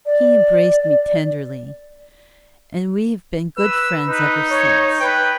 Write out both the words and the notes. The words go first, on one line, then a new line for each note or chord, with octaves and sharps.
He embraced me tenderly; and we have been good friends ever since.
D5
B4 E6
D#4 B4
C#5
B4 G5